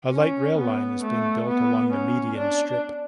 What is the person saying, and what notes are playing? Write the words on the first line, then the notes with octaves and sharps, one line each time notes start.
A light rail line is being built along the median strip.
C#4
B3
A3
B3
C#4
D4